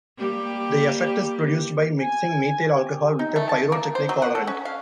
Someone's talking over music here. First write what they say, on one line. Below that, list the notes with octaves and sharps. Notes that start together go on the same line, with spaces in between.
The effect is produced by mixing methyl alcohol with a pyrotechnic colorant.
G3 A#3 G4
G#5
G4
D#4
A3
A5
A#3
C5
F#3
F#5
A4
C#4
F5